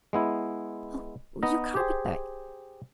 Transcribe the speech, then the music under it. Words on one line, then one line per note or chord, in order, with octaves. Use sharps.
Oh! your carpet-bag.
G#3 B3 E4
B3 D#4 D#5
G4 G#4 C5